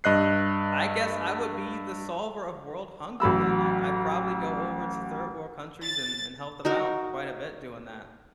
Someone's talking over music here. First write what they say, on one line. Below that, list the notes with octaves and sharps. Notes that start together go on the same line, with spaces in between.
I guess I would be the solver of world hunger then. I I'd probably go over to third world countries and and help them out quite a bit doing that.
G2 D#5 F#6 C7
A1 F#3 B5 E6
A6
D#4 F#4 A#4